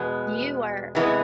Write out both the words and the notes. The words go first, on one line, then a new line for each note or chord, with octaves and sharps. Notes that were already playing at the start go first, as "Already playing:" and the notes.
You are
Already playing: E2 B2 G#3 B3
C3 E3 G#3 B3